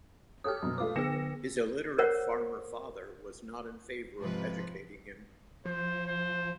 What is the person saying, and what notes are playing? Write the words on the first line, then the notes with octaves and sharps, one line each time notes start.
His illiterate farmer father was not in favor of educating him.
G4 A4 C#5 D#6 F6
F#2 B2
A3 F4 B4 D6
D3 B3 G#4 A#6 C#7 E7
A#4 C5 C#5 F#5
G#2 C3 F3 B4
F3 C5
C5